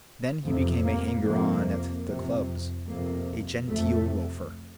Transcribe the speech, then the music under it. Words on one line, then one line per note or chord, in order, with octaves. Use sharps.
Then he became a hanger-on at the clubs, a genteel loafer.
F2 C3
A#3
F2 C3 A#3
F2 C3
F2 C3 A#3
F2 C3 A3